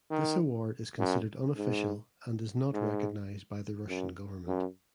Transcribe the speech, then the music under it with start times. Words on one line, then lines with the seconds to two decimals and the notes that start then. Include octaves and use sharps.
This award is considered unofficial and is not recognized by the Russian government.
0.10 D#3
0.98 F#2
1.57 G#2
2.73 G#2
3.89 F#2
4.47 F#2